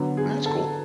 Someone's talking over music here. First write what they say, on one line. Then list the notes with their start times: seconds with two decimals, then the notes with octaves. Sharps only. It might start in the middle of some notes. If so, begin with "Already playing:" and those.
That's cool.
Already playing: D3 F#3 B3
0.17 G#4
0.46 A4